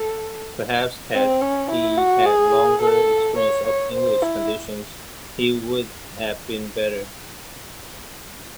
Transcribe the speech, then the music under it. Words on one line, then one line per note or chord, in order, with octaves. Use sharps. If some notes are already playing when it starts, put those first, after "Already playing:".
Perhaps had he had longer experience of English conditions he would have been better.
Already playing: A4
C4
C#4
E4
F#4
G#4
A4
C#5
C#5
C5
E4